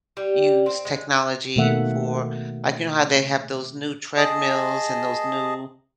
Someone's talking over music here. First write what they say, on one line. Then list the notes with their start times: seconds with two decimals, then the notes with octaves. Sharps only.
use technology for like, you know how they have those new treadmills, and those new,
0.17 G3 G4
0.66 C4
0.85 G#3
1.56 B2 D#3 A3 A#3 E5 F#5
4.17 G#4 D#5 A5